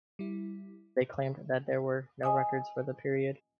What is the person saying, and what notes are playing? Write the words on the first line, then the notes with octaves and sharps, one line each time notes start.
They claimed that there were no records for the period.
G3 E4
D#5 G#5 D#6